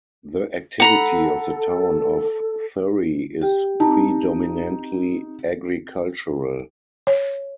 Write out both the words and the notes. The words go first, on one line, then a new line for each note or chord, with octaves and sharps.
The activity of the town of Thury is predominantly agricultural.
A4 F#5 A#5 B5
G4 G5
C4 D#4 A5
C#5